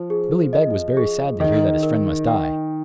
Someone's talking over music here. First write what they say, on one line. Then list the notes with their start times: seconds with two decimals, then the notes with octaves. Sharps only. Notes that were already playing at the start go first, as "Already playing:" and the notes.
Billy Beg was very sad to hear that his friend must die.
Already playing: F3 C5
0.10 G#4
0.53 D#5
0.97 G#4
1.40 D#3 D#5
1.83 A#4
2.27 G5